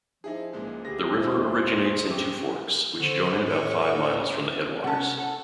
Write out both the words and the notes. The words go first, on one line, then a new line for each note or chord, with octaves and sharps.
The river originates in two forks, which join about five miles from the headwaters.
F3 D#4 E4 G#4
C#2 A#2 G#3
D2 G4 G#4 A#6
E1 A#2 D3 E4 C5
G#4
G4 C#6 D6 E6
D3 A4 C5 C#6
A2 A4 C#6
C2 C#4 F#5 A5
A4